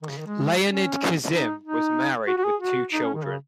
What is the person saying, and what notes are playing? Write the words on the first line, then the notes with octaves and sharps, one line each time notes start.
Leonid Kizim was married with two children.
D#3
C#3
D#3
G#3
C#4
D#4
D#4
F#4
F#4
G#4
F#4
D#4
C#4
D#3
C#3